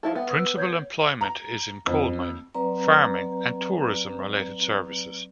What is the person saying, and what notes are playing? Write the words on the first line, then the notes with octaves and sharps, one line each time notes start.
Principal employment is in coal mining, farming and tourism related services.
F3 E4 A4
B3 E5 G5
D#6 E6
C#5 G6 G#6
A#5
F2
F#3 C4 B4 D5 A#5